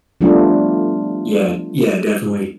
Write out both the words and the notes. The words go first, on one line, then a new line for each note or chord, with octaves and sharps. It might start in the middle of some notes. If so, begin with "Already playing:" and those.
Yeah, yeah, definitely.
F3 G3 A3 B3 D4 F4